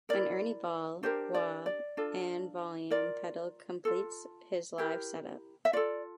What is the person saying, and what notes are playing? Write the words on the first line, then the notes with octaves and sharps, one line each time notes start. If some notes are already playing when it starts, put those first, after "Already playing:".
An Ernie Ball wah and volume pedal completes his live setup.
E4 A#4 D5
D4 G4 A#4 C5
D5
D5
D4 F4 A4
F4 A#4 D5
F4 A4
E4 G4 A#4
E5
F4 A4 D5